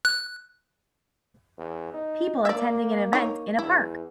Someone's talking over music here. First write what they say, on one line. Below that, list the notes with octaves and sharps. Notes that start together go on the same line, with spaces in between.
People attending an event in a park.
F#6
E2
D#4
A#3 D5 E5
D#4 C#5
E2 E4